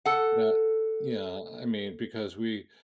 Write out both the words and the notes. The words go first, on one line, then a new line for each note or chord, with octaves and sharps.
but, you know, I mean, because we,
A4 F#5